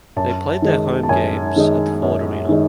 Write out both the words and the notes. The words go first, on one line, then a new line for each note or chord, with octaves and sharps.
They played their home games at the Ford Arena.
F#2 A5
D#3 G#3 D#4
A5
F#2 G#5
D#3 G#3 D#4
F#2
D#3 G#3 D#4